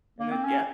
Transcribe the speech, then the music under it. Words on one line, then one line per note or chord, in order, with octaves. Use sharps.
and it yeah.
A#3
C4
C#4